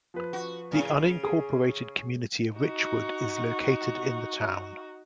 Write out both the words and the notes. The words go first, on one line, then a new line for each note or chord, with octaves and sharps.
The unincorporated community of Richwood is located in the town.
F3 B4
F#4
A2 C#3
C#3
G#4
D#4 F#4